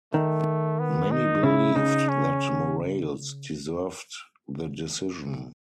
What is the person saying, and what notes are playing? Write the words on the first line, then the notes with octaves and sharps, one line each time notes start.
Many believed that Morales deserved the decision.
D#3 A3
B3
D#4
C#3 E4
C#3 D#4
C#4